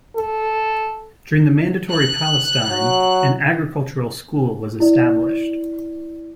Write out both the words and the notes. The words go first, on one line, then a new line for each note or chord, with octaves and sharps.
During the Mandatory Palestine, an agricultural school was established.
A4
F#6
F#3
E4 D5